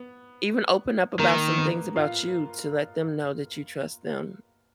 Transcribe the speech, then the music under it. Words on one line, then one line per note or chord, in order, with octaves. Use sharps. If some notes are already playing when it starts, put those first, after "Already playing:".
even open up about some things about you to let them know that you trust them.
Already playing: B3
D#3 A#3 A#4
B3 B4
F4 F5